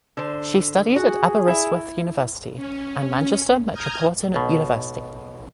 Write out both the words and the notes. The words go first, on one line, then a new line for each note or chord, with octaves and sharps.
She studied at Aberystwyth University and Manchester Metropolitan University.
D3 C5
F#4 G#4
E4 E5
C#4
A#5 D#6 F6 G6 G#6
B1 B2